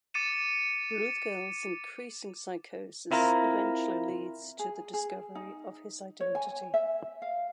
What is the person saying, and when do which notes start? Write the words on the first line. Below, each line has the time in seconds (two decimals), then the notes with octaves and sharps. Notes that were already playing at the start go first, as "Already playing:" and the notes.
Bluthgeld's increasing psychosis eventually leads to the discovery of his identity.
0.14 D6 A6 C#7 D#7 E7
3.11 C4 E4 F4 A#4 A#5
4.59 G#4
4.93 G#4
5.35 D#4
6.20 C#5
6.35 G#5
6.74 E5
7.22 F5